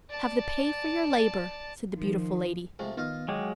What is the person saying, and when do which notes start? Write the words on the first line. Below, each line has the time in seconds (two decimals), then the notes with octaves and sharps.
"Have the pay for your labor?" said the beautiful lady.
0.10 D5 A5
1.97 D#3 F3
2.79 C3 F3 G#3 A3
2.97 D#3 B3 F4 D#5 F5
3.28 F#3 G#3 G5 D6